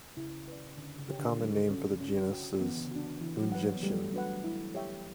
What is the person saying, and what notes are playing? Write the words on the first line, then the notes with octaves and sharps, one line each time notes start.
The common name for the genus is 'Moon-gentian'.
C#3 E4
B4 D5
D3 C#4
C#3
G4 C#5 G5
D3
G3
C#4 F#4
C#4
F#4 C#5 G5
E3 B3
D3
C#3
D4 F#4
D3
E3 E4
F#3
B4 F#5
G3
B3
G3 A3
D4 F#4 B4 F#5
E4
G4 C#5 E5 G5